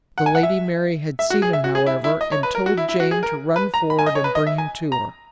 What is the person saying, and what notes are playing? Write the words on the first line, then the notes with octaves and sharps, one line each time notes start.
The Lady Mary had seen him, however, and told Jane to run forward and bring him to her.
F#5
G#5
F#5
E5
E5
F#4
G#4
E5
F#4
G#4
E4
E4
D#5
C#5
B4
A#4
F#4
E4
E4
F#4
G#4
A#4
B4
A#5
B5
G#5
D#5
C#5
B4
D#5
E5
G#5
A#5